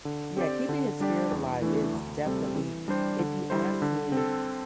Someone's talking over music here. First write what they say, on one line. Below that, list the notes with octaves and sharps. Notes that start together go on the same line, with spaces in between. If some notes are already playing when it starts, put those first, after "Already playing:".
Yeah, keeping his spirit alive is definitely If you ask me,
D3
C4 G4 D5
D3
G3 D4 G4 D5
E2
E3 A3 D4
D2
C3 G3 C4 A4
E3
G3 D4 G4 C5
D3
G3 E4 C5
D3
C4
A4